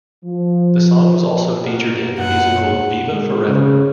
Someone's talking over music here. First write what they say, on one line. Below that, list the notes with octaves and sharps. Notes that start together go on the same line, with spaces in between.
The song was also featured in the musical Viva Forever!
F3
B2 A#3 F#4
F#2 F#5
G#3
C#3